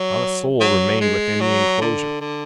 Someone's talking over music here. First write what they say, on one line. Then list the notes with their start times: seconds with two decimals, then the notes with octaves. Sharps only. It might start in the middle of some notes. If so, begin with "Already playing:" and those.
Not a soul remained within the enclosure.
Already playing: F#3
0.61 F#3
1.01 G#3
1.41 F#3
1.81 D3
2.21 D3